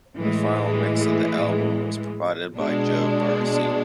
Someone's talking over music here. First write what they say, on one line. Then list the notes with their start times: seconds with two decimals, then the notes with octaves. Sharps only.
The final mix of the album was provided by Joe Barresi.
0.18 A2 E3 G#3
2.55 B2 G#3 D4